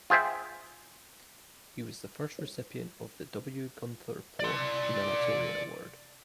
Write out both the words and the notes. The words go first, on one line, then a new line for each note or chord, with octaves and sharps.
He was the first recipient of the W. Gunther Plaut Humanitarian Award.
F4 G#4 C5 E5 G5
D5 C6